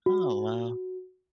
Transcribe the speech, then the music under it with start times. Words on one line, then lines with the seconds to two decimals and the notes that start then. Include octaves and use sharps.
Oh, wow.
0.06 F#4